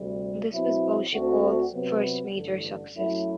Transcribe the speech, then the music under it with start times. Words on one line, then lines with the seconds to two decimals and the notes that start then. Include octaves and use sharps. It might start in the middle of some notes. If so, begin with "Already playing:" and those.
This was Boucicault's first major success.
Already playing: D2 C3 G3
0.51 B2 F#3 C4 E4
1.11 D2 D3 A3 C4 F#4
1.73 C3 F#3 B3
2.34 A1 G2 D3
2.94 F#2 F#3 A3 E4